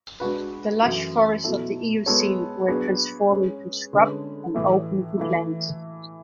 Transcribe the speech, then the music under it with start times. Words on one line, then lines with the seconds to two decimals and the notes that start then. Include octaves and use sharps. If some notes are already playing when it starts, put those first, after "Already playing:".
The lush forests of the Eocene were transforming to scrub and open woodland.
0.20 G#3 D4 F#4 B4
0.82 F#2 E3 A3 E4
1.44 B2 F#3 A3 E4 A4
2.06 G#3 B3 F#4 A4 C#5
2.68 F#3 B3 D4 G#4 B4
3.31 G#3 C#4 G#4 B4
3.93 D3 G#3 C#4 G#4 B4
4.54 A2 E3 A3
5.18 E3 A3 E4